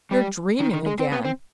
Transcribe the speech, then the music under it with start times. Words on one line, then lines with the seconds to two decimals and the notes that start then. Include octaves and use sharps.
"You're dreaming again."
0.11 G3 G4
0.60 D#3 D#4
0.73 D#3 D#4
0.86 G#3 G#4
0.99 C4 C5
1.12 B3 B4
1.25 C4 C5